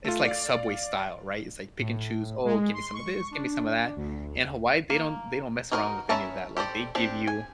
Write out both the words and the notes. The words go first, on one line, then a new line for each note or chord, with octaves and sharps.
it's like Subway style, right? It's like pick and choose, "Oh, give me some of this, give me some of that." In Hawaii, they don't they don't mess around with any of that, like, they give you
A3 F4
D5 F5
A2
G#3
C6
C#6
D4
D2
A#3
D#4 F#4 A#4 B4 D#5
C#4 B4 E5 A5 A#5
G4 A4 C5 D5
C4 D4 G4
G#5